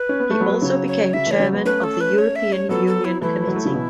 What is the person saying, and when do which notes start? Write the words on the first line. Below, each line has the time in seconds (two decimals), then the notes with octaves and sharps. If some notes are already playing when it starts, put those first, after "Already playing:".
He also became Chairman of the European Union Committee.
Already playing: B4
0.09 C#4
0.20 B3
0.30 A3
0.40 F#3 B3
0.61 C#3 F#3 C#5
0.88 C#5
1.14 C#3 F#3 E5
1.26 E3 A3 C#5
1.39 C#3 F#3
1.53 F#3 B3
1.65 A3 C#4 B4
1.84 A4
2.01 B4
2.18 C#5
2.36 E5
2.52 C#5
2.69 F#3 B3 A4
2.87 A4
3.05 E4
3.21 E3 A3 E4
3.47 F#3
3.56 A3
3.65 C#3 F#3
3.73 B2 E3